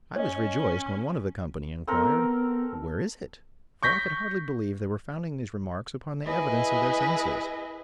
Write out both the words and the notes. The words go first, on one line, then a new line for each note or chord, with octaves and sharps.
I was rejoiced when one of the company inquired, "Where is it?" for I could hardly believe they were founding these remarks upon the evidence of their senses.
C#4 C#5 D#5
B3 C4 A4 A#4
C#6 G6 A#6 B6
E4 G#4 B4 D#5